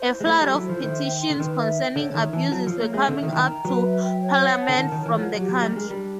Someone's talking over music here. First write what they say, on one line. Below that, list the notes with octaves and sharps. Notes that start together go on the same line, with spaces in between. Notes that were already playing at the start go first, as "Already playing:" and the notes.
A flood of petitions concerning abuses were coming up to Parliament from the country.
Already playing: C5
E4
G#3
A3 E4
G3 A4
F#3
C5
F3
D#3 E5
G5
C6
D3
D#3 B4
E5
G5
D3 C#5
D#3 E5
E3 A5
F#3 A4
F3 C#5
A#3
G#3 E5
D3 E5
D#3
G5
E3
D#3
A#5
F#3 B4
E5
G5
C#5
F#5
A5
D3
D#3 A#4
D#3 C#5
E3
F3 F#5
F#3 G4
F#3 A#4
G3
G#3 A3 D4
G3 D4